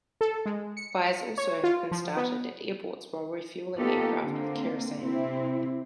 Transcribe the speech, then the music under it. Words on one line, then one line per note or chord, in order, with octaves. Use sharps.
Fires have also been started at airports while refueling aircraft with kerosene.
A4
G#3
C#7
C#5
F4
F3
B3
A#3 B3 D#4 F4 G4 A4
D3 A#3 C4
C3 C4 E4